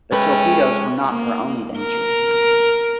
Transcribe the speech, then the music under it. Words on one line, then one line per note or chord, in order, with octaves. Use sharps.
But torpedoes were not her only danger.
G#3 A3 C#4 B4 G5
A#3
A#4